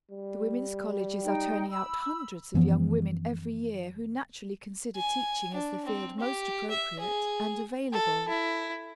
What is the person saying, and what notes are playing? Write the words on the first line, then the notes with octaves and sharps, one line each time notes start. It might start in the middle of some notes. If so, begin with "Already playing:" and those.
The women's colleges are turning out hundreds of young women every year who naturally consider teaching as the field most appropriate and available.
G3
D#4 G5
B5 E6
F#2 E3 F3 B3
G#5
D4
C4
G4
E5
G#4
A4
E4